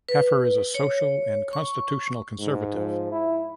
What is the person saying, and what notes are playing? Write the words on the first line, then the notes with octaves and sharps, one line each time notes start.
Heffer is a social and constitutional conservative.
B4
C#5
C#6
G#2
F3
E4